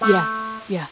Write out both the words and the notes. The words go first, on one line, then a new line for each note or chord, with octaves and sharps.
Yeah, yeah.
A3